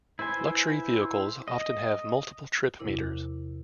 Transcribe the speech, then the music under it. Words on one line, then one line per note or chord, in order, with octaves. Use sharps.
Luxury vehicles often have multiple trip meters.
E4 B4 C5 G#5
D#5
E2 C3 F3 E4 A#4 D6